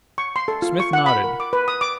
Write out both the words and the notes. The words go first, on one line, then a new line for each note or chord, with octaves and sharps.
Smith nodded.
C#6
C6
A4
F4
C#6
F#5
B5
A#4
D6
B4
D#6
D6